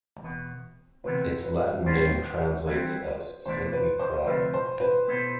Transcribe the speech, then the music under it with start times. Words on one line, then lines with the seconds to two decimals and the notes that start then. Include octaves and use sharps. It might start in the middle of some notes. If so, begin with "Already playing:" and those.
Its Latin name translates as "saintly crab".
0.23 E2 B2 B3
1.04 D2 C3 E3 B3 B4
1.44 B4
1.84 A2 G3 C4 F4 C5
2.66 E3 G3 C4
3.46 E2 B2 A3 D4 C5
3.73 B4
3.99 C5
4.26 D2 C3 F3 A3 B4
4.54 C5
4.80 B4
5.07 B2 B3 E4 A4 C5